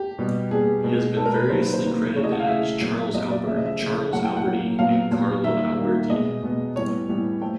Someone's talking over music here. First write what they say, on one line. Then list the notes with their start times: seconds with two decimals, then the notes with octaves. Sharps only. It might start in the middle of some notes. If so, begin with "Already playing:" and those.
He has been variously credited as "Charles Albert", "Charles Alberty" and "Carlo Alberti".
Already playing: G4
0.19 B2 G3 B3
0.51 B2 G3 B3 G#4
0.84 B2 G#3 B3
1.16 B2 G#3 B3 A4
1.26 A#4
1.34 B4
1.50 C3 D#3 F#3 A#3 C5
1.62 B4
1.74 C5
1.82 C3 D#3 F#3 A#3
2.15 C#3 E3 A3 C#5
2.24 D#5
2.32 F#5
2.40 F5
2.48 C#3 E3 A3 E5
2.81 A#2 F#3 B3
3.14 A#2 F#3 B3 D#5
3.30 D5
3.46 C#3 F3 A3 E5
3.57 D#5
3.66 E5
3.79 C#3 F3 A3
4.13 A2 F#3 A#3 F#5
4.25 G5
4.37 F#5
4.46 A2 F#3 A#3
4.79 A#2 F#3 B3 F5
5.11 A#2 F#3 B3
5.44 D#3 G3 A#3 E5
5.77 D#3 G3 A#3
6.10 B2 G#3 B3 D#5
6.43 B2 G#3 B3
6.75 A2 E3 G3 B3 C#5
7.08 A2 E3 G3 B3
7.41 F3 A3 G5